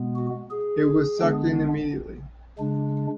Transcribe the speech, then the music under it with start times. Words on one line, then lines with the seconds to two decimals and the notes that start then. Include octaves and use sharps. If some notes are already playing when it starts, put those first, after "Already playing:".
It was sucked in immediately.
Already playing: B2 G#3 B3
0.16 F#4
0.51 G#4
1.20 D3 G#3 B3 D4
2.59 C#3 G#3 D4